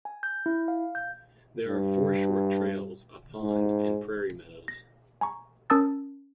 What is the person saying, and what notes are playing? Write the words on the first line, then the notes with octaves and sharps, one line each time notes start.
There are four short trails, a pond, and prairie meadows.
G#5
G6
E4
F5
G6
G2
G#2
A#6
G#5 A#5 C#6
C#4 A#4 A5 D#6 E6 A6